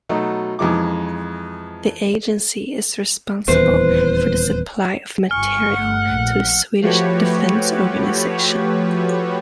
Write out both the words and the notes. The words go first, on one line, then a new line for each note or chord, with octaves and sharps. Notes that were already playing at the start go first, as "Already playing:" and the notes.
The agency is responsible for the supply of materiel to the Swedish defence organisation.
B2 F#3 A3 D#4
F2 E3 G#3 D#4 D6
D#1 E2 E3 B4 C5
G1 G#5 C#6 F6
G1 A3 F#5
A#1
F3 A3 F#4 G4 B4 C#5